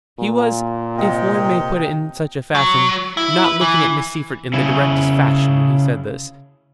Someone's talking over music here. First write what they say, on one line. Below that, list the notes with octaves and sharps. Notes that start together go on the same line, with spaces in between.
He was, if one may put it in such a fashion, not looking at Miss Seyffert in the directest fashion when he said this.
A#2
C3 D#5 G5
F#3
E4
B4
E3
C#3 E4